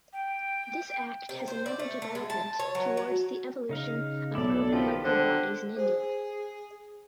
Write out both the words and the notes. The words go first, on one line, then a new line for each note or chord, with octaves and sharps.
This act has another development towards the evolution of urban local bodies in India.
G5
C3
C5
D5
A3
A3
G#3
A5
C#5
F#3
F#3
C#3 D#4 F5
B1 E4 A4 D5 D6
D#3 F3 G4 B4
D3 G4 C5
G#4 C5